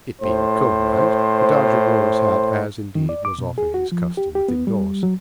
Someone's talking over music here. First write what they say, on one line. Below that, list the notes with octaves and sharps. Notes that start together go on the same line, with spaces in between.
It being a cold night, the Dodger wore his hat, as, indeed, was often his custom within doors.
A2 C5
D#3
D5
D6
B2
G#4
F#4
F3
G4
G4
B3
G3
F#3